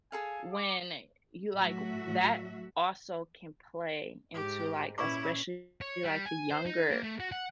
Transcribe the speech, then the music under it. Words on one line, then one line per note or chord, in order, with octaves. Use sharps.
when you like that also can play into like, especially, like, the younger,
G#4 A4 F5 G#5
D6
A2 F#3 A3 F#4 E5
G#2 G4
A#2 C#4 E4 B4 C#6 D6
C#5
G3
G#5
C5
D#4
A#3
A3
F#4
F#5